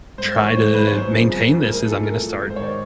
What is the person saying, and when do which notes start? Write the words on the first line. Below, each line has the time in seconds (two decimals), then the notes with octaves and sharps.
try to maintain this, is I'm gonna start
0.18 G#2 C5
0.37 E3 C#5
0.55 G#2 C5
0.73 E3 B4
0.87 C#5
0.92 F#2 C5
1.11 C#3 F3
1.30 F#2
1.48 C#3 F3
1.66 A2 A#4
1.77 G#4
1.85 F3 A4
2.03 A2 A#4
2.22 F3
2.41 G#2
2.50 C5
2.56 C#5
2.60 D#3 D5